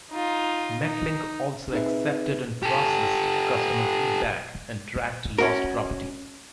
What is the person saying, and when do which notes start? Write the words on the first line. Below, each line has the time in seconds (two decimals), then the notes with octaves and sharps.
Metlink also accepted and processed customer feedback, and tracked lost property.
0.11 D#4 F4
0.82 D#4
1.72 C4 D#4 G#4 B4 E5
2.63 G4 A4
5.38 C#4 F#4 A#4